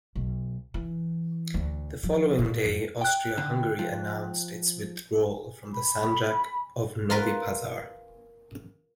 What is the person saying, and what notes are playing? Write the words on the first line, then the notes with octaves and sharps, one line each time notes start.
The following day, Austria-Hungary announced its withdrawal from the Sanjak of Novi Pazar.
B1
E3
D2
F3
A#2
F2
G5 F#6
D3
F3
B5
F4 A#4 B4